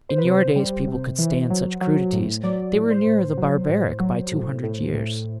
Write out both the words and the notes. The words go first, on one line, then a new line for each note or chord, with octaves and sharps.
"In your days people could stand such crudities, they were nearer the barbaric by two hundred years."
C5
B4
C3 C5
G3
C3
E3
F#3
F#3
A2
F#3 D5
A2
C5
A2
F#3
A2
F#3
A2
A2
A2